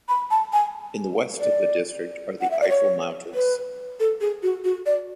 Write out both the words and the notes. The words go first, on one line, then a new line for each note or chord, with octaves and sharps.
In the west of the district are the Eifel mountains.
B5
A5
G#5
D5
F#5
E5
D5
C#5
B4
A4
G#4
F#4
F#4
D5